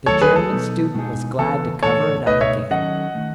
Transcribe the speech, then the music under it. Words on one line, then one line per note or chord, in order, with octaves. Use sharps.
The German student was glad to cover it up again.
D#3 F#3 A3 E4 A4 C#5
G#4 B4
A4
B2 F#3 B3 D#4
B2 G#3 D#4 G#4
C#3 E3 B3 F#4 A4 B4
A2 E3 A3 A4 C#5
C#2 B2 A3 D#4 B4 D#5
C#5 E5
D#3 F#3 C#4 F#4 A4 D#5 F#5
D#3 A3